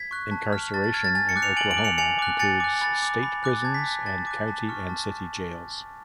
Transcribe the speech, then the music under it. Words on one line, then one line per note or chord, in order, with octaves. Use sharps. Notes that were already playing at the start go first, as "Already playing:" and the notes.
Incarceration in Oklahoma includes state prisons and county and city jails.
Already playing: G#6 B6
C#6 F#6
A5
F6
A5 A6
A6
F6 G#6
A6
G#5 A6
A6 C#7
D6 F#6
C#7 F7
G#5 D7 F#7
D7 F#7
D6 F#6
C#7 F7
G#5 C#7 F7
D6 F#6
G#5 A6 C#7
D6 F#6
B5 A6
D6 F#6
B5
D6 F#6
A6
A5 G#6
B6
A6
D6 F#6
A5 A6
D6 F#6
A5
C#6 F6
A5